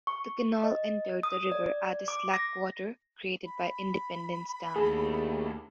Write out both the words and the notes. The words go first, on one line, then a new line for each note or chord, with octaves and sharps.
The canal entered the river at a "slackwater" created by Independence Dam.
C#6
D#5
D#6
D5
D6
A#6
B5
D#2 D3 A3 G#4